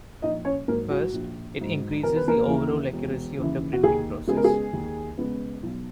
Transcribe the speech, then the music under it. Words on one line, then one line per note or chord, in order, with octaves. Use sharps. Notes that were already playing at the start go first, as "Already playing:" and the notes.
First, it increases the overall accuracy of the printing process.
A#1 D#4 D#5
C#4 C#5
G#2 F#3 A#3 A#4
F#4
A#1
G#2 F#3
E1 A#4
B4
A#3 A#4
D#2 C#3 E3
E1
D#2 C#3 E3
F#4
D#2 G#4
C#3 G#3 B3 G#4
A#4
G#4
D#2
C#3 G#3 B3
B1